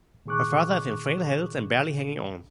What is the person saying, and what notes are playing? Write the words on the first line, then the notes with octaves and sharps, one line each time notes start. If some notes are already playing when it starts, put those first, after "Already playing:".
Her father is in frail health and barely hanging on.
A#2 D#3 G#4 C#6 D6 F#6